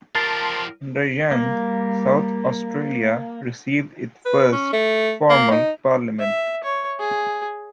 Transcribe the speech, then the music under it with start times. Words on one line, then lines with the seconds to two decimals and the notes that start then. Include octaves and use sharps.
Under Young, South Australia received its first formal parliament.
0.15 F3 G4 A#4 A5 C6
1.31 G3 A#3
4.26 B4
4.53 C#4
4.73 A3
5.30 A#3
5.51 D#4
6.19 E5
6.63 C#5
6.99 G#4